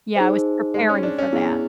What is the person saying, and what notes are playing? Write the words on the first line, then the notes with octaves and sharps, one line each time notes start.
yeah, I was preparing for that.
D#4 G#4 C5
G#3
C#4
D4
C#4
B3 E4 G#4